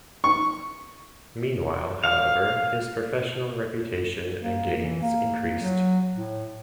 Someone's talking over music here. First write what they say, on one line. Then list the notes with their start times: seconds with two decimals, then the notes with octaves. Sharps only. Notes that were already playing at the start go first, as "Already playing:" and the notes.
Meanwhile, however, his professional reputation and gains increased.
0.24 C#6
2.04 F5
4.42 A#3
4.81 E3
5.01 A#3
5.59 F#3
6.14 A2